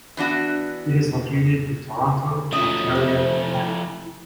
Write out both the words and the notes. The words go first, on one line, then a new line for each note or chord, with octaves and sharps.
It is located in Toronto, Ontario, Canada.
E3 B3 D4 F#4
F3 F#3 A3 C#4 F4 D#5
C3 C5
E4